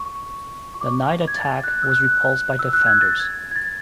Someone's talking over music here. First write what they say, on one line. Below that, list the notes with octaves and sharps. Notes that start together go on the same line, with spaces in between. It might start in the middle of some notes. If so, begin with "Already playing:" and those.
The night attack was repulsed by defenders.
Already playing: C#6
C#6
D6
G#6
A6
F#6
E6
F#6
E6
F#6
G#6
A6
G#6
G#6
A6